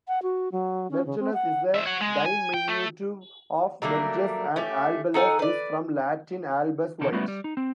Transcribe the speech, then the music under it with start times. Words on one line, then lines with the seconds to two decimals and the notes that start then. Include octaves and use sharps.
"Mergellus" is a diminutive of "Mergus" and "albellus" is from Latin "albus" "white".
0.08 F#5
0.23 F#4
0.52 F#3
0.91 C#4
1.06 C#3
1.19 C4
1.34 F#5
1.74 F3 E5
1.86 C#5 F#5
2.01 G#3
2.26 G#5
2.54 G5
2.68 A3
3.82 F#3 G3 A3 A#3
4.56 A3 C#4 G4
5.14 D#4 A4 F#5 G#5
5.39 B4 D5
7.01 E2 C3 D#3 A4 A#4
7.12 G3 A3 B3 C#4 E4 F#4
7.28 G3
7.44 D#4
7.57 C4